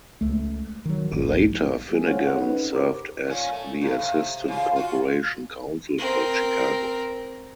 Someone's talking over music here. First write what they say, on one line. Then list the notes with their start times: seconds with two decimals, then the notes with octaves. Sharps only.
Later, Finnegan served as the Assistant Corporation Counsel for Chicago.
0.21 C#2 A3
0.85 D#3 F#3
1.13 G1 A#2
1.29 A#1 G2
1.91 G3 A3 G#4
2.07 G#4 C5 C#5 F5 F#5
2.27 C4 A4 C5 C#5 F#5
2.38 C#4 D#4 B4
2.72 G4 A#4 C5 C#5 D6
3.27 A#2 C#4
3.52 A3
3.81 G2
3.99 C3
4.48 C#3 F4
4.76 F4 F#4
5.99 C4 A#4